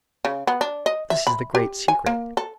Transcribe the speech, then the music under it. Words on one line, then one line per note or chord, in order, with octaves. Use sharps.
This is the great secret.
C#3
B3
D4
D#5
E5
B5
G4
G#5
A#3
A4